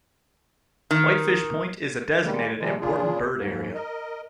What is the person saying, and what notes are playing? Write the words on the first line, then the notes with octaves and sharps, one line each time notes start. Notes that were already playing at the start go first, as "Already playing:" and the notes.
Whitefish Point is a designated Important Bird Area.
D#3
D#3 G3 G#3 A#3
C3 D#3 F3 G3 G#3
A#2 C#3 D4 F4 G#4
D#2 G#2
A#4 D#5